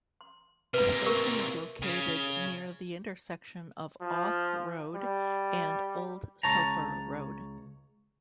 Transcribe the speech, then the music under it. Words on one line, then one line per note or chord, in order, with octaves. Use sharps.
The station is located near the intersection of Auth Road and Old Soper Road.
C6
C3 A#3 B4 B5
A#4 C#6
C#3
F3
G3
C#2 C#5 A5 A#5